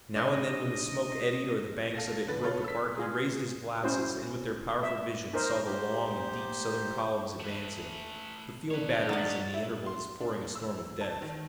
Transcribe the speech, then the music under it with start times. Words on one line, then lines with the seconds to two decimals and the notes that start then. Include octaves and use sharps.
Now and then when the smoke eddied or the banks of it broke apart he raised his glasses and with their powerful vision saw the long and deep Southern columns advancing, the field batteries in the intervals pouring a storm of death.
0.15 D4 D#4 D5 D#5
1.94 A4 F5 A6 A#6
2.27 D3 B4 A6
2.44 F4 A4 B4 C#5
2.64 E6 B6
2.98 F4 G#4
3.83 C#4 E4 F#4 C5
4.83 E5
5.33 D#4 A#4 C5
5.66 G#2 D#4 G4 C5 G6
7.40 A3 B4
8.71 D4 B4 C#5
9.09 F#3 D#5 A6
9.54 E4
9.86 C6
10.21 D4
10.55 E6
11.01 A5
11.22 D#3